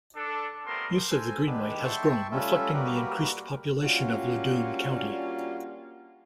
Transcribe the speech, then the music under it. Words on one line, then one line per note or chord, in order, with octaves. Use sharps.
Use of the Greenway has grown, reflecting the increased population of Loudoun County.
D4 A4
G3 A3 B3 C4 A#4 C6
A4 C5 G#5
D#3 G#3 B3 D4 G4 B4
E5 G5 A5 C6 C#6
G3 A3 C#4 F4 A4 E5
G3 A#3 F#4 G4 A#4 B4
G3 A#3 C#4 D4 F4 F#4